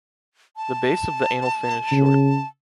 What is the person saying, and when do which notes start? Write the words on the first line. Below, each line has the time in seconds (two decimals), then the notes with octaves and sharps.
The base of the anal fin is short.
0.57 A5
1.91 C#3